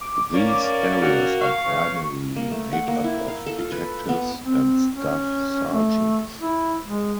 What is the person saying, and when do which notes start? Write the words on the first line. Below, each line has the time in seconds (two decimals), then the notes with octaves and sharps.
These areas are primarily made up of detectives and staff sergeants.
0.01 D6
0.34 A#3 C#4 D5
0.64 D5
1.01 A#3 C#4 F#4
1.41 F5 C#6
1.65 C#3 E3
2.36 A#3
2.51 A3
2.73 F#5
2.88 A#3
3.04 E4
3.28 F5
3.46 A4
3.58 F4
3.72 B4
4.09 B3
4.46 C4
4.93 C#4
5.73 A3
6.40 E4
6.85 G#3